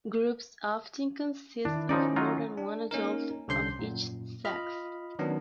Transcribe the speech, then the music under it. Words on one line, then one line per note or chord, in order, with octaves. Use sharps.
Groups often consist of more than one adult of each sex.
D#3 D4 E4
F3 C#4 D#4 D5
F#3 D#4 F4
D4
A#3 C#4 D#4 A#4
C2 D3 C#4 C6 G6 C7
F#2 A#2
F4 D#5 B5 F6
D#3 F#3 B3 C#4 D4